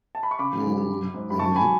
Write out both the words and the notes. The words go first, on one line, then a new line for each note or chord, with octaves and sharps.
Mm, mhm.
A5
B5
C#6
C#3 B5 D6
F#3
F#3
G#2
B5
D3 A5 C#6
G#5 B5
F#3